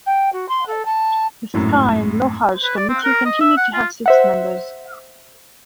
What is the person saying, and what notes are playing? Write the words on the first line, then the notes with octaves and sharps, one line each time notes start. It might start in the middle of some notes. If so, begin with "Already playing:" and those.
The Skye and Lochalsh committee continued to have six members.
G5
F#4
C6
A4
A5
G#1 F#2 A2
B4
D5
C4
A#4
D#5
E5
F#5
F4
C5 E5 F#5